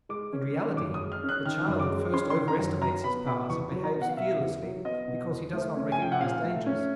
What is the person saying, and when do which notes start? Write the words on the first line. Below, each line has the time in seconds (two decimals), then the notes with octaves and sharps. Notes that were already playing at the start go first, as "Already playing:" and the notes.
In reality the child at first overestimates his powers and behaves fearlessly because he does not recognize dangers.
0.09 G#3 D6
0.33 C#4
0.55 D#3
0.77 F#2 D6
0.94 D#6
1.00 G#3
1.12 F6
1.23 C#4
1.29 F#6
1.45 D#3 F6
1.68 F#2
1.80 D6
1.91 G#3
2.13 C#4 C6
2.30 C6
2.36 D#3
2.48 A#5
2.59 F#2
2.81 F#3 A#5
3.04 B3 B5
3.26 B2 B5
3.50 E2 C#6
3.72 F#3
3.84 A#5
3.95 B3
4.01 F#5
4.09 F5
4.17 B2 E5
4.40 E2
4.63 F#3
4.85 B3 D#5
5.08 B2
5.30 E2
5.53 A3
5.76 C#4
5.92 G#5
5.98 F3 G5
6.12 F#5
6.21 A#2 F5
6.44 A3
6.66 C#4